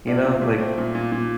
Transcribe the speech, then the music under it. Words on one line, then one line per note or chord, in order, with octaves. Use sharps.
you know, like
A#2 D5
A#2
A3
C4
A#2
A#2
A#2